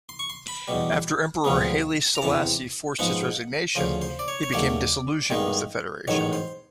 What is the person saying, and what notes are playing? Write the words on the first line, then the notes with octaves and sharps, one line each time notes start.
After Emperor Haile Selassie forced his resignation he became disillusioned with the Federation.
C6
C#6
C6
B5
E2 B2 G3
D2 C3 F3 G#3 B3
A#5
E2 C3 E3 A5
G#2 F3 G#3 B3 F#5
D2 C#3 F3 C5
C5
D5
C#5
C#5
D#2 C#3 F#3 A3 D5
G2 D#3 G#3 B3
A1 G#2 D#3 F#3 C#5
C5